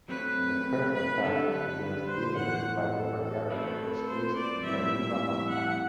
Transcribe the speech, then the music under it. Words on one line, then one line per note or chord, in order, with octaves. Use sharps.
The first attacks against villages by the Baggara were staged in the Nuba Mountains.
F#3 A3 C4 B4
B4
D3 F#3 B3 D4 G4 A4
B4
C5
A2 E3 A3 F#5
A4
A4
A3 C4 F#4 A4 B4
C5
D5
A2 G3 C4 E4 E5
F#5